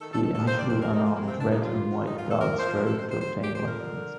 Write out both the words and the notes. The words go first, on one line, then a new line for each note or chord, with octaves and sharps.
The initially unarmed Red and White Guards strove to obtain weapons.
D#3 A4
A4
D#3
A4
D#2 A4
C5
D#2
D5
F2 C5
A#4
C3
D#4
F3 A3
A#3
C3
C4
G2 D4
D#4
G2
F4
G2
G2
D3 D#4
F4
D#2
A4
F3 A#4
F3 C5
C3 A#4
A4
C3
C5
D#3 C5
C5
D2
F2 G4
C5
F2
A#4
D3
D3